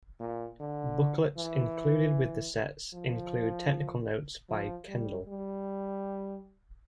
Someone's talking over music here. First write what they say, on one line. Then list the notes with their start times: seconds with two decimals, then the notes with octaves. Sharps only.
Booklets included with the sets include Technical Notes by Kendall.
0.20 A#2
0.60 D3
1.37 E3
2.93 F3
4.49 F3
4.88 G3
5.28 G3